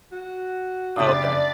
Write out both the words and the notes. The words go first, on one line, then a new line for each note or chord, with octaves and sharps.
Oh, okay.
F#4
F#1 D4 G4 D5 D#6 A6